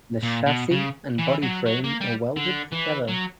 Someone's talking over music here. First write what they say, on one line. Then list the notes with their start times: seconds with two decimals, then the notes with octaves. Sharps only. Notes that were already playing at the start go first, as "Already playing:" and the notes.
The chassis and body frame are welded together.
0.23 A#2
0.46 B2
0.71 C#3
1.18 E3
1.42 F#3
1.66 F#3
1.84 A#3
2.01 G3
2.36 D3
2.72 E3
3.08 F#3